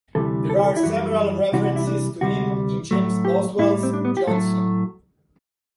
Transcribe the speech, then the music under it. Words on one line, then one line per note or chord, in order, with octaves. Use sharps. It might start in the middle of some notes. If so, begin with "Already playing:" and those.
There are several references to him in James Boswell's "Johnson".
D2 C3 E3 G3 A4
A4
G4
A4
E4
F#2 E3 G3 F#4
C2 C3 E3 G3 F#4
F#4
E4
D4
D2 C3 G3 F#4
A2 F#3 A3
G4
A2 G3 E4
C4
D4
B3
G4
A2 F#3 A3 A4